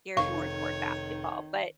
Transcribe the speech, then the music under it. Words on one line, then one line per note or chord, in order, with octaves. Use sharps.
geared more toward basketball. But,
F1 D#3 C#5 F5 C#6